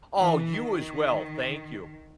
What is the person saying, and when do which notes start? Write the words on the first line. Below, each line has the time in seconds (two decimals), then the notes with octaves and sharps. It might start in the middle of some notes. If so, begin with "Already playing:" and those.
Oh, you as well. Thank you.
0.18 E3
0.53 D#3